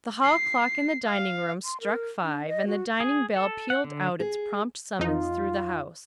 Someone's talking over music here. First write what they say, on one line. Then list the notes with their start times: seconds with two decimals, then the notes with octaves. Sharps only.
The tall clock in the dining-room struck five, and the dining-bell pealed out its prompt summons through the house.
0.24 C7
1.06 F5
1.65 C6
1.81 A#4
2.24 D4
2.48 D#5
2.67 F#4
3.00 G#4
3.36 A4
3.70 F#5
3.84 D3
4.20 G#4
4.99 F2 D#4 F4